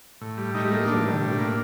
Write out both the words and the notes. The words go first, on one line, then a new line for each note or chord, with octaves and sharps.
She lives in London.
A2
G3
A2 D#4
A#3
A2 D4
G3
A2
A#3